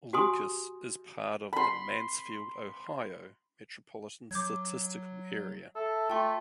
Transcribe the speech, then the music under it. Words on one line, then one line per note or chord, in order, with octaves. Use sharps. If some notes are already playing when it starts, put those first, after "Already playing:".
Lucas is part of the Mansfield, Ohio Metropolitan Statistical Area.
F#4 G4 G#5 C6 D#6
B5 C6
F#3 D6 G6 G#6
A4 E5
A3 F4 G5 C6 C#6